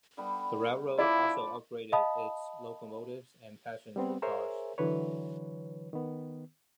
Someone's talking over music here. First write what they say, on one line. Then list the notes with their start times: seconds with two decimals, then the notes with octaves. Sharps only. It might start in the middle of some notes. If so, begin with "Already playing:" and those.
The railroad also upgraded its locomotives and passenger cars.
0.17 D3 G3 B3
0.98 F3 E4 D5 B5 D6
1.92 D#5 F5 A5 B5 D#6
3.96 G3 B3 C4
4.22 G#4 A#4 C5 C#5 E5 G#5
4.78 D3 E3 F#3 B4 C#5
5.93 D#3 B3